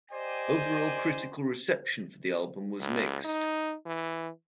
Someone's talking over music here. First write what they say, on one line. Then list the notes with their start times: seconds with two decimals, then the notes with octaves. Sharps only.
Overall, critical reception for the album was mixed.
0.11 G4 C5 D5 D#5 G5 G#5
2.81 C#2
3.25 D#4
3.86 E3